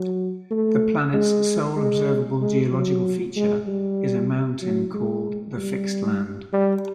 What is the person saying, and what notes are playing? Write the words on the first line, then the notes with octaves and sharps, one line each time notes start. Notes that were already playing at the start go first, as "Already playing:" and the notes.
The planet's sole observable geological feature is a mountain called the Fixed Land.
Already playing: F#3
A3
G#3
G#3
G#3
F#3
G#3
G3
F#3
G#3
G3
G3